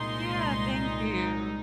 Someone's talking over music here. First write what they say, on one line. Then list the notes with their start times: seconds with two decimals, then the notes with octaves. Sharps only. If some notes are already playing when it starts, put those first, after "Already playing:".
Yeah. Thank you.
Already playing: C2 A#2 G#3 D#4 C6